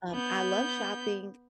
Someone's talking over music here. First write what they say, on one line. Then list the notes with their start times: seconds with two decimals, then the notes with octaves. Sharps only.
Um, I love shopping
0.12 B3 G6